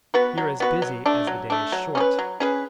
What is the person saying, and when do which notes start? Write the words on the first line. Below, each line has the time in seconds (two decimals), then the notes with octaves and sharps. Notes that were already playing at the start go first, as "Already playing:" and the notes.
"You're as busy as the day is short!"
0.14 B3 F#4 B4
0.38 F#3
0.60 B3 F#4 B4
0.82 F#3
1.06 A3 D4
1.27 F#3
1.50 A3 D4
1.72 F#3
1.95 C#4 G#4
2.00 B4
2.19 F#3
2.40 C#4 G#4 B4